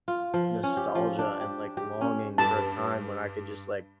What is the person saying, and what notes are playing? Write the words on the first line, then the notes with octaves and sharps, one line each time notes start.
nostalgia and, like, longing for a time, when I could just like
F4
F3
C#4
G4
F3
D4
G4
G4
C#4
G2 A5